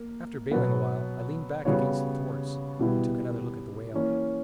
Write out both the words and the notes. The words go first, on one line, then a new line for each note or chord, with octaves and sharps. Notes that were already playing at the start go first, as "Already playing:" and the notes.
After bailing awhile, I leaned back against the thwarts and took another look at the whale.
Already playing: A#3
B2 F#3 B3
C#3 G3 B3 F#4 C#5
B2 G3 B3 E4
E3 A#3 C#4